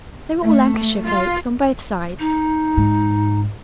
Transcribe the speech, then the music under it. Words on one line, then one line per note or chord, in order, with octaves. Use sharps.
They were all Lancashire folks, on both sides.
A3
F4
D#4
G#2